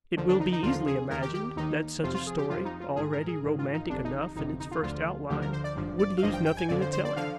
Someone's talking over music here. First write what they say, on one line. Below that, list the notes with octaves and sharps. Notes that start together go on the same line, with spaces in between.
It will be easily imagined that such a story, already romantic enough in its first outline, would lose nothing in the telling.
D#2 D3 F3
D4
D#4
D#4
D#2 D3 F3 F4
G#4
D#2 D#3 A#4
G4
G4
D#2 D#3 D#4
F2 C3 F3 F4
F4
G#4
G4
F2 C3 F3 F4
D#4
F4
A#1 G#2 D#3 G#4
A#4
G#4
A#1 G#2 D#3
F4
D#4
G1 F2 C3 D4
D#4
D#4
G1 F2 C3 D#4
D#4
F4
D2 D3 F3 F4
D2 D3 F3 G4
A#4
C5
D5
G#1 G2 F3
D5
F5
G#1 G2 F3 D#5
G5
G5
G#5
F2 D3 F3 D5
C5
C5
D5
D3 F3 F5